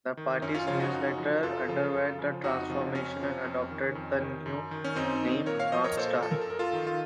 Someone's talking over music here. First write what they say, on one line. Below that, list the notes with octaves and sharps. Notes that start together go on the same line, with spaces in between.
The party's newsletter underwent a transformation and adopted the new name "North Star".
D#3
F#2 C#4
C#4 F4
C#3 F3 C#4 F4
D#4 F#4
F#2
C#3 F3
F#2 F4 A4
C#3 F3
F#2
C#3 F3
F2 D#4 F#4
C3 F3
F2 C#4
C3 F3
F2
D#3
F2
D#3
F#2
D#3
C#4
F#2 C4 D#4
D#3
A#2 A#4 C#5
C#5 F5
F3 C5 D#5
A#4 C#5
A#2 A4 C5
F3 A4
A#4
A4
F#2 A#4
F4 A4
D#3
F4